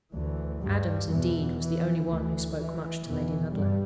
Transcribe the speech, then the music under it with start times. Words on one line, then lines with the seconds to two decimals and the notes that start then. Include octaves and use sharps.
Adams, indeed, was the only one who spoke much to Lady Ludlow.
0.14 D2 E3
0.63 G2 G3
1.12 E2 B2 E3
1.60 E3
2.09 D2 E3
2.58 E3
3.06 E2 B2 E3
3.55 G2 G3